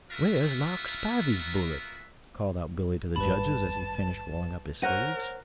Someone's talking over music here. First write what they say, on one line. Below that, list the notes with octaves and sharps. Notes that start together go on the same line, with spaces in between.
"Where's Lark Spivey's bullet?" called out Billy to the judges, as he finished rolling up his sleeves.
A#3 B3 F4 F#4 A#4 E5
G#1 G2 D#3 B4 A5 B5
A#4 C5 C#5 F#5 F#6 A#6 D#7